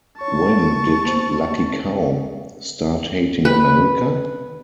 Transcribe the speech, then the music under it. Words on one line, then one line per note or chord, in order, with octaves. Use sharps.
When did Lucky Cow start hating America?!
C#5 A5 C#6
A#3 B3 C5
B4